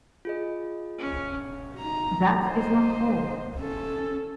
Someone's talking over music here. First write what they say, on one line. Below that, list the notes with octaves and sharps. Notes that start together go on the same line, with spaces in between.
That is not all.
F4 G#4 D#5
C#4
D#4 A#5
C5 D#5
C#4 A4